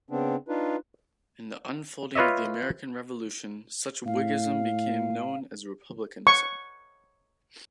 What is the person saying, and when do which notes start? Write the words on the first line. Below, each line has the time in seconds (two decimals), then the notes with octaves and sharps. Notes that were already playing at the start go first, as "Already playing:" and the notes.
In the unfolding of the American Revolution such whiggism became known as republicanism.
0.10 C#3 B3 C4 D4
0.49 D4 D#4 F4 B4
2.15 F4 B4 C#5 D#5 E5
4.06 A2 F5
6.27 C#6